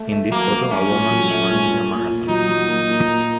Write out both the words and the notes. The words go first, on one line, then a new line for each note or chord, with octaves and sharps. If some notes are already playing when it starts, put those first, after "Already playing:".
In this photo, a woman is running in a marathon.
Already playing: A3
A3
F#3 A#3
F#3
A3 C#4
A#2
F#3
A3
A#2
A#2
A#2
A#2
F#3 D#4
F#3
A#3
A#2
A#3